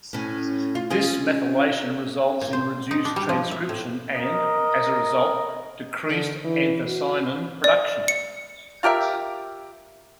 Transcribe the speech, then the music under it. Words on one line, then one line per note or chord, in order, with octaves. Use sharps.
This methylation results in reduced transcription and, as a result, decreased anthocyanin production.
A2 C#4
F4
C#4 F4 G#4
A#2
C5
D#4
D4
G3
F3
E5
A2
A#4 D#5
D3
E3
F#4
D5
C#7
F4 G4 A#4 E5